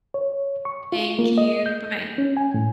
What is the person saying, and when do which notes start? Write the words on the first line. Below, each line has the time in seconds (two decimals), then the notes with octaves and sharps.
Thank you. Bye bye.
0.14 C#5
0.65 C#6
0.92 F4
1.19 A#3
1.38 D#5
1.66 G6
2.18 C#4
2.37 G#5
2.54 A2